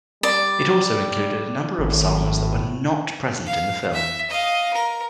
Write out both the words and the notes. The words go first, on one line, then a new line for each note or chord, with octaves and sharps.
It also included a number of songs that were not present in the film.
G3 D5
G#1 A2
F5
E5
D#5 F5
A#4